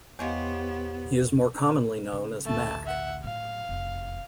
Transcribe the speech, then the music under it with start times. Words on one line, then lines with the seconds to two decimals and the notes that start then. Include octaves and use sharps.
He is more commonly known as "Mac".
0.19 E2 B3 G4 C5 C#5 D#5 F5
2.12 C#3
2.45 A1 D2 A3 A5
2.86 E5 F#5
3.24 A2 F#3 F5
3.69 F1 E2